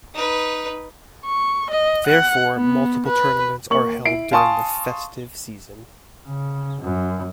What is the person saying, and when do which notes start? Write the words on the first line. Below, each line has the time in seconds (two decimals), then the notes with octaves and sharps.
Therefore, multiple tournaments are held during the festive season.
0.14 D#4 B4
1.26 C#6
1.71 D#5
2.07 F#5
2.56 B3
3.07 B4
3.70 A#3 C#6 F#7
4.05 E4 C7 D7
4.32 F5 G#5 A5 C6 C#6 D#6
6.27 C#3
6.81 F#2